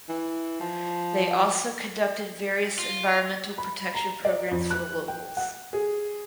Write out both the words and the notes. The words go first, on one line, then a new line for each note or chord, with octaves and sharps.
They also conducted various environmental protection programs for the locals.
E3
F3
F4
B5
A#5
D5
F2
F#6
G5
F#5
G#4